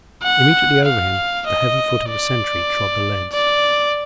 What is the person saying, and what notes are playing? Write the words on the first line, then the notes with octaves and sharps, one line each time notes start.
Immediately over him the heavy foot of a sentry trod the leads.
F#5
F5
D#5
D5
D5